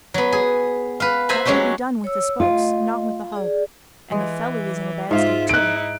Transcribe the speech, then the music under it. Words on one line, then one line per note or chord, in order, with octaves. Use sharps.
"That could be done with the spokes, not with the hub; and the felly is in a bad state, too."
F#3 B3
G#4
B4 F5
C5 E5 G#5 A#5 B5
F#3 G#3 C#4 F#4 G4
C#5 E6
A3 F4 D#5
G#4 D5
E3 G#3
G#2 F4 E5 F5
D#4 E4 F#6 D7